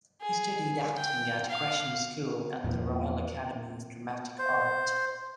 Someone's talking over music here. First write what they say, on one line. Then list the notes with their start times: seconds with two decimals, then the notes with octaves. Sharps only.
He studied acting at Gresham's School and the Royal Academy of Dramatic Art.
0.21 G#4
0.96 G5
1.49 F5
2.64 E2 A#2 E3 F3
4.39 C5